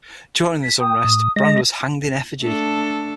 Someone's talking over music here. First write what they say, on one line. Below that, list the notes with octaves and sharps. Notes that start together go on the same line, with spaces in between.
During this unrest, Brand was hanged in effigy.
B6
G5 D#6
A2
G#3 D#5 A#6
A3 D4 A4